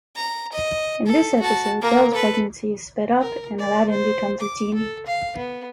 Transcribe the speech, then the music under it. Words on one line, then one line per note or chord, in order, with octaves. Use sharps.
In this episode, Belle's pregnancy is sped up, and Aladdin becomes a genie.
A#5
D#5
A4
F#4 A5
A#3 A#4
A4 B4
A#4
D5
C5
D6
A4
F5
B3